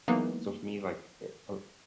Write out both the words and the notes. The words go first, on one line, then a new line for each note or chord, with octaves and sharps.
So for me, like, yeah, uh
E3 F#3 G#3 A#3 B3 D#4